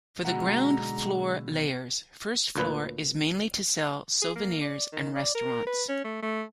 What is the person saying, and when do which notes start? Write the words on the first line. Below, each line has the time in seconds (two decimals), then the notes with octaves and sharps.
For the ground floor layers, first floor is mainly to sell souvenirs and restaurants.
0.25 B1 B2 D3 G#3 F#4 F#5 A#5
2.56 D2 A#2 B4
4.22 G#4
4.36 A#3
4.61 D5
4.93 D#3
5.16 D5
5.35 A#4
5.67 B4
5.89 C#4
6.05 A3
6.22 A3